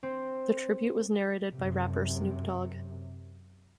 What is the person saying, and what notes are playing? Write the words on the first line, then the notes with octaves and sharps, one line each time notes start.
The tribute was narrated by rapper Snoop Dogg.
C4
F#2 C3